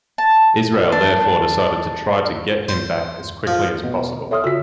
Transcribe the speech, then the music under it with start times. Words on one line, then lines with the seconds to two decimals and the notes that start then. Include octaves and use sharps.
Israel therefore decided to try to get him back as quickly as possible.
0.18 A5
0.92 D4
2.69 C5
3.47 F3
3.84 B2
4.31 A4 C#5 E5 C6 D#6 F6
4.44 C#3 F4 F#4 E6 B6